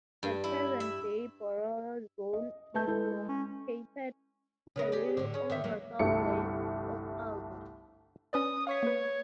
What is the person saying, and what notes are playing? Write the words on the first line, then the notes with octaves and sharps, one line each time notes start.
The present day Barolo zone is located a little over southwest of Alba.
G2
E4
E5
D#5
A3 B4 A5 G6
G#3 E4 A4 B4
C#4
C#3 B3 A#4
G4 G#4 D5
A2 D3
C#4 G#4
D3 D#3 E5
E2 F#3 A#3
G1 C2 A3 A4 E5 C#7
C#4 B4 D5 D#6
C#5 F5 C#6 B6
A#3 B4